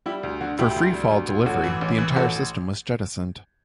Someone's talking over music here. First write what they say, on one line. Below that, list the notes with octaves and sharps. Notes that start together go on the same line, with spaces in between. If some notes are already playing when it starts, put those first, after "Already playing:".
For free-fall delivery, the entire system was jettisoned.
G3 E4 G4
D2
D3 F#4
D2 E4 G4
D2
G3
D2
D2
A1 F#4 A4
E3
A1
E3
A1 F#4 A4